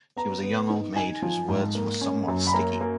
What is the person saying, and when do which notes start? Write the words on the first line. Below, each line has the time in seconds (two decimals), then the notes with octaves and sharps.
She was a young old maid whose words were somewhat sticky.
0.16 B3 A#5
0.43 B3
0.70 D#4
0.96 D#4 G#5
1.22 F3
1.48 G#2
1.75 A#3
2.01 C#4
2.28 F#2
2.47 B5
2.53 A#3 A#5
2.81 A#3